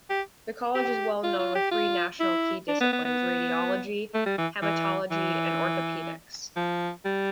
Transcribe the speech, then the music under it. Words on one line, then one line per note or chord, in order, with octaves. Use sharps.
The college is well known with three national key disciplines: radiology, haematology and orthopaedics.
G4
G4
F4
F4
G4
F4
E4
D4
B3
B3
B3
A3
G3
E3
E3
E3
F3
G3